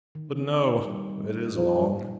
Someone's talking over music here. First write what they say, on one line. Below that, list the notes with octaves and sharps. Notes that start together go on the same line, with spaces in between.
But no--it is long.
D#3
C4
D#4
G3
G3
D#4
A#2 F3
G3
A#2